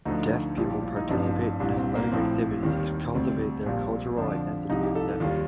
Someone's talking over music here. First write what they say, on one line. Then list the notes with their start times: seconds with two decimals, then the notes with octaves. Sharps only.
Deaf people participate in athletic activities to cultivate their cultural identity as Deaf people.
0.06 D2 D3 F3 D#4
0.57 A#1 A2 G3 F4
0.70 G4
0.83 F4
0.96 D#4
1.09 A1 G2 F3 C4
1.60 C2 A#2 G3 D4
1.77 C4
1.95 A#3
2.12 A#1 A2 F3 C4
2.63 D#2 D#3 G3 C4
3.15 D2 C3 G3 C4
3.66 A#1 A#2 G3
4.17 F2 D3 F3 D4
4.69 C2 C3 F3 D#4
4.83 G4
4.95 A4
5.20 D#2 D#3 G3 F4